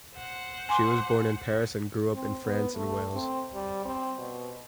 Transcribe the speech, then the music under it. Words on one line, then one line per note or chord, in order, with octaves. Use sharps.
She was born in Paris and grew up in France and Wales.
C5 F#5
G#5 C6 D6
C4
B3
A3
C4
G3
C4
B2